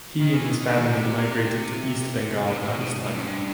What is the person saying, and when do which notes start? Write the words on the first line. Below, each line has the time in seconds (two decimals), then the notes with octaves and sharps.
He and his family migrated to East Bengal, Pakistan.
0.20 D#3
0.35 E3
0.50 D#3
0.64 C3
0.77 D#3
0.90 C3
2.46 C3
2.57 A2
2.69 B2
2.80 B2
3.03 A2
3.14 F#2
3.26 G2